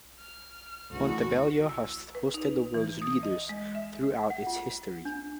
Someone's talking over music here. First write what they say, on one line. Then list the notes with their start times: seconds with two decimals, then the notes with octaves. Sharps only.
Montebello has hosted the world's leaders throughout its history.
0.19 F6
0.92 D2 E3 F#4
1.69 E6
2.15 B4
2.34 D#4
2.74 E3
3.02 D#6
3.23 D#5
3.49 G#3
3.75 E5
4.30 F#5
4.47 F4
5.05 D4